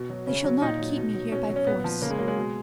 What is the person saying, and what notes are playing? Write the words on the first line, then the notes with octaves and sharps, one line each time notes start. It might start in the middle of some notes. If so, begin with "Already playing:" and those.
They shall not keep me here by force.
Already playing: B2
F#3
C#3 C#4
F#3
A#2 D#4
F#3
B2
F#3
B2 C#4
F#3
C#4
A#2 B3
F3
C#3 A#3
G#3
F#3 A#3
G#3
B2